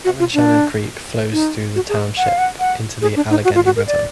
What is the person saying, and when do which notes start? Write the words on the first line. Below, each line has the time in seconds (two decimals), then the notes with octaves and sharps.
Cowanshannock Creek flows through the township into the Allegheny River.
0.05 F#4
0.19 F4
0.34 D4
1.32 D#4
1.75 F#4
1.89 G#4
2.17 F#5
2.27 F5
2.38 F#5
2.60 F#5
3.02 G#4
3.16 D4
3.30 D#4
3.44 F#4
3.55 F4
3.65 F#4
3.76 A#4
3.87 D5